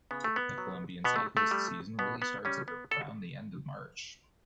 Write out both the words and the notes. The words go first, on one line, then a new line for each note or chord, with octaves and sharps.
The Colombian cyclist season really starts at around the end of March.
C#3 B3
A3
B3
F#3
B2 B3
A3
A3
G3
B2 B3
B3
G3 C#4
B3
B2 A4